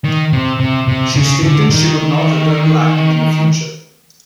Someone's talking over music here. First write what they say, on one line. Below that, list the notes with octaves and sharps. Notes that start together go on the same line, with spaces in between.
She stated she would not return to acting in the future.
D#3
C3
C3
C3
C#3
D3
D#3